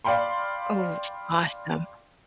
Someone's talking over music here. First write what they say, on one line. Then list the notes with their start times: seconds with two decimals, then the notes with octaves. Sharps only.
Oh, awesome.
0.04 D5 F5 G5 B5 C6